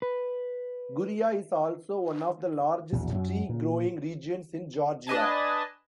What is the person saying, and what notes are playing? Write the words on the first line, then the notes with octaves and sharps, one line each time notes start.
Guria is also one of the largest tea growing regions in Georgia.
B4
A#1 E2 B2
F#2 F#3
A#2
D4 B4 D#5 G#5 A5